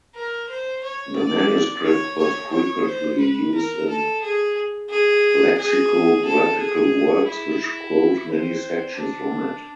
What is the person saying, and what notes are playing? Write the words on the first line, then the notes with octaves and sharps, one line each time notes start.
The manuscript was frequently used in lexicographical works which quote many sections from it.
A#4
C5
C#5
D5
C#5
C#5
C#5
C5
B4
A#4
A4
G#4
G#4
G#4
A4
G#4
E4
C4
D4